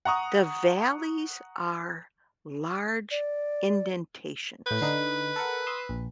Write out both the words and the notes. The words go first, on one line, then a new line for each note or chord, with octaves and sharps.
the valleys are large indentations.
F#5 A#5 C#6 D#6
D5
A2 B4 G6
D3 D#4
A4 A#4 F#5
C6 D#6 E6
A#1